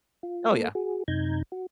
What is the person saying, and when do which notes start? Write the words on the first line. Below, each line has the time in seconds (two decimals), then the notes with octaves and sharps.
Oh, yeah.
0.23 F4
0.52 A#3 A4
0.75 F#4 G#4
1.08 F#2 C3 D#4 A#5 G6 G#6
1.52 F#4